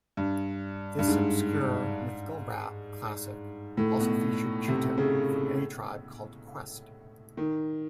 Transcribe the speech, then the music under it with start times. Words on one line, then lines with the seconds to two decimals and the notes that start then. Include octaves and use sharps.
This obscure, mythical rap classic also featured Q-Tip from A Tribe Called Quest.
0.17 G2
0.99 G2
1.08 G#2
3.77 A2
4.00 B2
4.68 C3
4.97 C#3
7.37 D#3